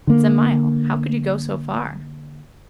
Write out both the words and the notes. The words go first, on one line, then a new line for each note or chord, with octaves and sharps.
"It's a mile, how could you go so far?"
D3 A#3